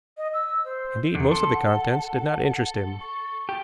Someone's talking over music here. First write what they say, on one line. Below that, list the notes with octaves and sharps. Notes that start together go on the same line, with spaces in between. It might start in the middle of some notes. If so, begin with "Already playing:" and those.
Indeed, most of the contents did not interest him.
D#5
E6
C5
E2 D3
A4 C6
F#5
C#6
G4